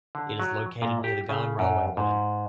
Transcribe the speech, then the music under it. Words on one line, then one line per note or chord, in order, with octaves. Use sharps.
It is located near the Ghan railway line.
D3
F#3
A#2
G4
C#3
F#2
G#2